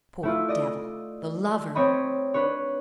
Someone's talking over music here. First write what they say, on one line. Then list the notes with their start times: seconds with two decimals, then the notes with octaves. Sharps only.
Poor devil--the lover!
0.23 A3 E4 F4
0.48 D5 D#5
1.75 C4 C#5 D#5 B5
2.34 D4 B4 C#5